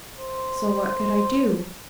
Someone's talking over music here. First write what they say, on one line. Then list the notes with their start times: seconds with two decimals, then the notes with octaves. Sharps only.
So what could I do?
0.18 C5